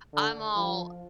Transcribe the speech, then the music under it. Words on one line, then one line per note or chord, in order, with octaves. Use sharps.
I'm all
D3
F3